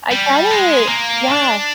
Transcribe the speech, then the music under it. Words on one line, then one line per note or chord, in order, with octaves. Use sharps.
I get it. Yeah.
G3
G#3
A#3
D4